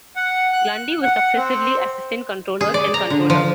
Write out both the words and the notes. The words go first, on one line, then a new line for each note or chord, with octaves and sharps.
Lundy was successively assistant controller and controller.
F#5
F#6
F#5
C4
G#4
D5
A#5
D3
F3